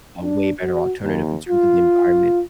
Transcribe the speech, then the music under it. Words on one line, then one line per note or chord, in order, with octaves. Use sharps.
a way better alternative in terms of the environment
D4
F#4
D#2
F4